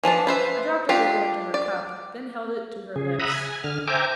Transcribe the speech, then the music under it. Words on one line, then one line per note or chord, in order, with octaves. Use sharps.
I dropped a little into her cup, then held it to her lips.
E3 F3 D4 A5
B4 C5 E5
D4 F4 G4
D5
C#3 G#4
E5 F#5 A#5 B5 D#6
G#5
D3 F6
C5 E5 G5 G#5 A#5 D6